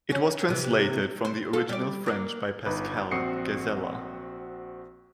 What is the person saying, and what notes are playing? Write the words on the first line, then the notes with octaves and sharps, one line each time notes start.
It was translated from the original French by Pascale Ghazaleh.
C#4
C3 E3
C5
F4 A4
G3 D5
A#3 D4
G1 D#4 B4
A#1 C4 F#4 D#6 C7 C#7